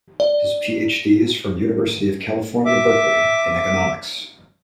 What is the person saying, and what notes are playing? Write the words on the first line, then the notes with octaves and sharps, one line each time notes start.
His Ph.D is from University of California, Berkeley in economics.
D5
E5 D6